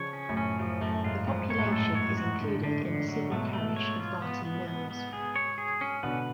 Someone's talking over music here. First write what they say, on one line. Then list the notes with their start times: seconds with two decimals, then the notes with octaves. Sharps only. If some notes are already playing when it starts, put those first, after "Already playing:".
The population is included in the civil parish of Barton Mills.
Already playing: C#3 F3 C#5
0.13 C#4
0.29 F#2 A2
0.37 C#4
0.59 F#2 F3
0.81 F#2 A3
1.04 G#2 F4
1.27 G#2 F3
1.50 A2 C#5
1.58 G#2
1.66 F#2 A2
1.72 A4
1.95 C#5
2.17 F#4
2.40 D3
2.63 D3
2.85 D3
3.08 F#3
3.31 G#2 B2 A3
3.53 A3
3.76 C#5
4.00 F4
4.22 B3
4.45 B3
4.68 B3
4.91 B3
5.13 G#4
5.36 C#5
5.58 G#4
5.81 C#4
6.03 B2 D3 B4